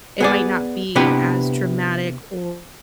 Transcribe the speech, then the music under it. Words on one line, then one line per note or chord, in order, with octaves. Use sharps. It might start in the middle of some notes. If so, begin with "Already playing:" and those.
it might not be as dramatic or
B3 G#4 D5
C3 B3 D4 E4 G4 B4